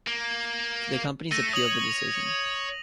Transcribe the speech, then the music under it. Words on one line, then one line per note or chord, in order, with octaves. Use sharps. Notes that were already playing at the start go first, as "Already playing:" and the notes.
The companies appealled the decision.
A#3
A3 A#6 D#7
C#5 D#6 F7 F#7